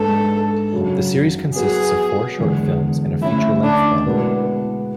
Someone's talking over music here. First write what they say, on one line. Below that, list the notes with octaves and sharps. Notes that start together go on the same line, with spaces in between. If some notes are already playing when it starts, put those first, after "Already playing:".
The series consists of four short films and a feature-length film.
Already playing: G#2 G#3 D4 G#4 A4 B4
F#2 C#3 F#3
F#3 B3 F#4 G#4
E2 D3 G#3 B3
D3 A3 C#4 E4
D4
B2 G#3 B3 E4 B4